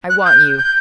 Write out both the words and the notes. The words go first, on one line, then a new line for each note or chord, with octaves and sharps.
I want you.
F#6
G6
G6